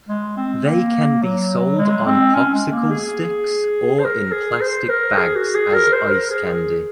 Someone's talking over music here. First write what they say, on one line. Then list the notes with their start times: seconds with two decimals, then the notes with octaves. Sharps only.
They can be sold on popsicle sticks or in plastic bags as ice candy.
0.09 G#3
0.37 C4
0.66 A#3
1.23 F#3
1.78 G#3
2.06 C4
2.34 C#4
2.54 G#3
2.72 A#3
2.91 G#4
3.99 C5
4.05 A#4
4.32 G#4
4.61 C5
4.89 A#4
5.17 G#4
5.36 F#4
5.54 G#4
5.74 A#4
5.93 C5
6.10 A#4
6.30 G#4